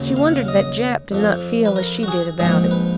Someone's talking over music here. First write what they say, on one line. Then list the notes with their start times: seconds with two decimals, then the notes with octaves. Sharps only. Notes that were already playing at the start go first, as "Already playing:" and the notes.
She wondered that Jap did not feel as she did about it.
Already playing: D#2 C#3 F#3
0.16 F5
0.26 F#5
0.36 F5
0.48 D#5
1.12 F2 F3
1.65 B4
1.76 A#4
2.03 F#4
2.08 G#4
2.39 A#1 G#2 F3 G#4
2.71 B4